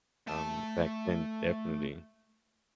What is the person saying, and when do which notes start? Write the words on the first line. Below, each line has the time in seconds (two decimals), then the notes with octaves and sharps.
Um, back then, definitely.
0.27 A3 A5